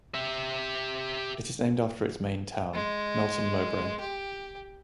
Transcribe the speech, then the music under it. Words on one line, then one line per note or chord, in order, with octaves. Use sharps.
It is named after its main town, Melton Mowbray.
G4 E5
G#3
G4